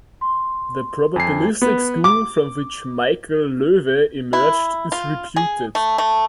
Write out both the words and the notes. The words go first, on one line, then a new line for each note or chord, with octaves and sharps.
The probabilistic school from which Michel Loève emerged is reputed.
C6
F2 G#5 G#6 C7
B3
D6
E4
F4
G#4
A3
A3